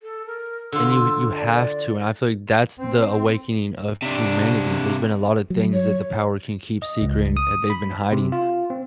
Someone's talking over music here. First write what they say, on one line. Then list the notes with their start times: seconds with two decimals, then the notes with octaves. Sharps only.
And you you have to, and I feel like that's the awakening of humanity. There's been a lotta things that the power can keep secret, and that they've been hiding.
0.03 A4
0.26 A#4
0.72 D3 F4 E6
1.37 D5
2.79 C4
4.02 C3 D4
5.50 F#3
5.73 C#5
6.82 D#5
7.01 C#2
7.37 D#6
7.70 B5
8.12 C3
8.32 F4
8.70 C4